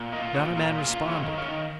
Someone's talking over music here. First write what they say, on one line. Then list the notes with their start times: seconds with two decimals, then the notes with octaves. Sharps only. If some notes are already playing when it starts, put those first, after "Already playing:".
Not a man responded.
Already playing: A#2
0.12 F4 A#4 D#5
0.34 A#2 G#4 C#5
0.57 A#2 F4 A#4
0.78 F4 G#4
1.01 D#3
1.08 G#4 C#5
1.23 D#3
1.38 C#5 F5
1.44 D#3